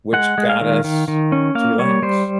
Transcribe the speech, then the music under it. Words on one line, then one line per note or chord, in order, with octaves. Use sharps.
which got us to relax,
G#3 F#5
G#3
F5
D#3
D#3
D#3
C#4
A#3 F5
G3 C#5
G3 C5